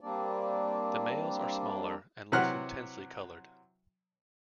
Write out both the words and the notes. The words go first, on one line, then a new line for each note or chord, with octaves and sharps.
The males are smaller and less intensely colored.
G3 A#3 C4 D4 D5
C3 E3 F#3 F#5 F6 F#6